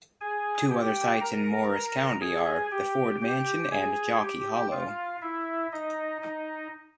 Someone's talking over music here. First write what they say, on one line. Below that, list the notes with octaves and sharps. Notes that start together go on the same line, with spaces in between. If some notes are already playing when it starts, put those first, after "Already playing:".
Two other sites in Morris County are the Ford Mansion and Jockey Hollow.
G#4 G#5
G4 G5
A#4 A#5
G#4 G#5
G4 G5
G4 G5
G#4 G#5
G4 G5
F4 F5
E4 E5
D#4 D#5
D#4 D#5